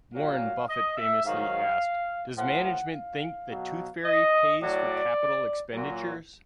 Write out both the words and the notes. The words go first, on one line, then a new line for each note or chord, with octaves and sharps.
Warren Buffett famously asked: Does management think the tooth fairy pays for capital expenditures?
A#2 F#3 F5
D#5
E5
G#2 D#3 F#3 F5
A2 F3 F#5
F5
B2 F#3
D#5
A2 F#3 D5
A#2 F#3